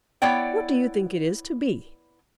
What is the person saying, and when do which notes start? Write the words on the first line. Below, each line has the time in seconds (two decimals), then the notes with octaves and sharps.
What do you think it is to be?
0.22 B3 E4 C#5 D5 G5